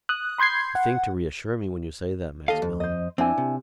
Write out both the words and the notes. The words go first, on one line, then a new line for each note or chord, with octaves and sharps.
"You think to reassure me when you say that, Maximilian."
D#6 F#6
B5 C6 G6 G#6 C7
F#5
D#2 A4 D#5 F5
F2
C5 D#5
F2 C4 D4 E4 G#5
C3